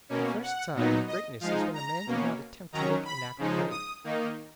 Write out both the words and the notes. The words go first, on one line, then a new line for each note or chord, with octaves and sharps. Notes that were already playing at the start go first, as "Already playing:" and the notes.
The first sign of greatness is when a man does not attempt to look and act great.
B2 A#3 C#4
F#5
A#2 F#3 B3 D#4
D#5
F3 G#3 D#4 F5
A#5
B2 A#3 C#4
D#3 F#3 C#4 A#5
B5
C#3 F3 G#3 D#4
D#6
D#3 A#3 D#4